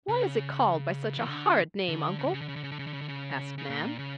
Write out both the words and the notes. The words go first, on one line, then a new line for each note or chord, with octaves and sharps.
"Why is it called by such a horrid name, Uncle?" asked Nan.
C#3
E3
D3
D3
C#3
D3
C#3
D3
C#3
D3
C#3
D3
C#3
D3
C#3
D3
C#3
C#3
A#2
C#3